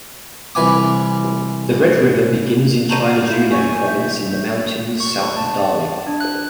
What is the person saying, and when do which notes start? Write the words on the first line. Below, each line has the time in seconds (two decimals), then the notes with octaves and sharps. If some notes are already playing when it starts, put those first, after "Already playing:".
The Red River begins in China's Yunnan province in the mountains south of Dali.
0.55 C2 E3 B4 G#5 D6
2.89 A5 A#5 C#6 G6
3.03 F#4 F5
3.27 E4 G6
3.51 G#5 C#6
3.87 E5 G6
5.00 C#6
5.37 A5
6.07 D4
6.21 F#6